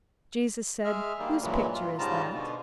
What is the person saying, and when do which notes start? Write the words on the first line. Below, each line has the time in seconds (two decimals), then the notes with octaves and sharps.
Jesus said, "Whose picture is that?"
0.85 G#3 G#4 E5 F6
1.19 D#3 G3 A#3
1.42 G2 A#2 E3 F#3 G#3
1.74 F4
1.98 G#2 C#3 G3 F4 A5 A#5
2.34 B2 D3